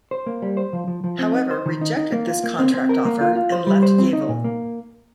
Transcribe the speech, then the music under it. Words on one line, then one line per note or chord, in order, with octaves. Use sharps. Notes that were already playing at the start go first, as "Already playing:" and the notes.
However, rejected this contract offer and left Yeovil.
C5
A#3
G3
C5
F3
F3
F3
C4
D#4
C5
D#3
D#4
D#4
A#3
F4
A#3
C4
C4
A#4
A#3
F4
F4
C5
G3
C5
C4
D#4
A#2
A#3